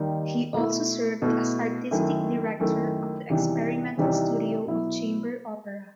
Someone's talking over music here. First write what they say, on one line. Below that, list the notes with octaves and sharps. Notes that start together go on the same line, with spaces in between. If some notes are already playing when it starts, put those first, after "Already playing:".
He also served as artistic director of the Experimental Studio of Chamber Opera.
Already playing: D#2 D#3 G3 D#4
B2 A3 E4
B2 A3 E4
F#2 D#3 A3 E4
F#2 D#3 A3 E4
E2 C3 E3 G3 D#4
E2 C3 E3 G3 D#4
B2 F#3 B3 E4